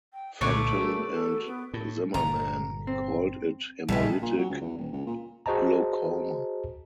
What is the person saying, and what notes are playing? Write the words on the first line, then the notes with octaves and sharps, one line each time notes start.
Fenton and Zimmerman called it hemolytic glaucoma.
G5
C2 A#2 D3 A3 B4 C#5 D5
F#4 G#4 A#4
A4
B3
A2
G1 A#2 D3 A#5
C4
A#1 A2 C#3 G3 D#5 E5
A#2
F#3
C#2
E2
D#1
C#2
A#2
F#4 G#4 C5 D#5 A5 A#5